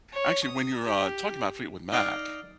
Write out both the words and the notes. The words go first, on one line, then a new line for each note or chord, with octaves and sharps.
Actually, when you were, uh, talking about Fleetwood Mac,
C#5
D#6
G4
D#4 D5 F5